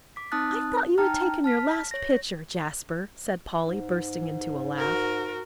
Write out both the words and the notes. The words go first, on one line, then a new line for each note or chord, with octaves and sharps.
"I thought you had taken your last picture, Jasper," said Polly, bursting into a laugh.
D6 B6
C4 D#4 A5 D#6 F#6 A6
D#4 G5 A5 A#5 F6
A5 F6 B6
C#5 A#6
G#2
F#4 A#4